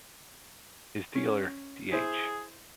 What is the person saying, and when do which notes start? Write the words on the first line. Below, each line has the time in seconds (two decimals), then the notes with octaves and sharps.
His dealer, D-H.
1.15 C#4
1.93 E4 G#4 C5